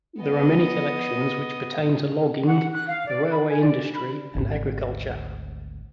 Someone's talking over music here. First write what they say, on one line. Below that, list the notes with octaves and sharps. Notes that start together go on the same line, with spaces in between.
There are many collections which pertain to logging, the railway industry and agriculture.
B3 D#5
F#5
F#6
F5
D5
B5
G#5
D5
B5
G#1 D2